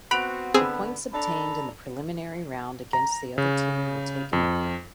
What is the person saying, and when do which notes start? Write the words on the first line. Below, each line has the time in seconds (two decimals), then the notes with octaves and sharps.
The points obtained in the preliminary round against the other team were taken over.
0.11 B3 C4 F#4 B5 F#6 D7 F7
0.54 D3 B3 C4 G#4 B5 E6
1.13 D4 A4 A#5 B5
2.93 A#5
3.38 C#3
4.33 F2